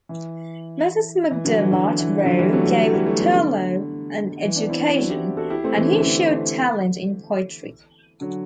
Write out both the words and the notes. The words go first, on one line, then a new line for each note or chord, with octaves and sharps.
Mrs. MacDermott Roe gave Turlough an education, and he showed talent in poetry.
E3
E3
D3 F#3
E3
D3
E3
D3 F#3
E3 G3
F#3 A3
F#3 A3
F#3
E3 G3
F#3 A3
G3 B3
D3
E3
B3 D4
C4 E4
D4
E4
D4 F#4
E4 G4
F#4 A4
E4 G4
A3 C4
E3
D3
E3
D3
D3 F#3